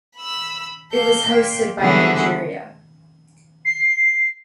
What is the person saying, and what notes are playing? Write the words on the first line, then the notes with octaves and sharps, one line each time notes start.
It was hosted by Nigeria.
B5 E6
A#3 A4 G6
A#2 G5
D3 E3 G3 B3 F#4 G#4
C7